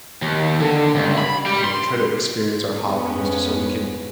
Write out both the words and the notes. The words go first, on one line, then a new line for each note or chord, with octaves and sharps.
um, you know, try to experience our hobbies just so we can,
D#2
D3
C#2
B5
G3
C6
F2 G#3 B3 C#4